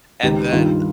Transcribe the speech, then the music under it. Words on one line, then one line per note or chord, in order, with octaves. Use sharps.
And then,
C#2 C3 D#3 G4
G2 D#3 F4